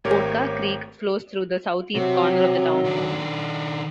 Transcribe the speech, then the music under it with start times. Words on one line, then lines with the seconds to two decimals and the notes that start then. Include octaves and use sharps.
Oatka Creek flows through the southeast corner of the town.
0.04 G#1 A3 G4 A#4 C#5
1.95 C3 F#3
2.84 D#3 D4